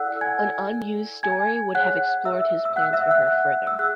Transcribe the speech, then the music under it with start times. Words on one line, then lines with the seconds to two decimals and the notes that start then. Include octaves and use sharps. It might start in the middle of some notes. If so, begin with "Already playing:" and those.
An unused story would have explored his plans for her further.
Already playing: E4 A4 D5 F#5 E6 F#6
0.21 G#5 G#6
1.23 G#5 G#6
1.75 G#4 C#5 F#5 F#6
2.25 E5 E6
2.65 E6
2.76 F#5 F#6
2.93 E5 E6
3.11 F#5 F#6
3.28 F#5 F#6
3.67 E6
3.79 G#4 F#5 F#6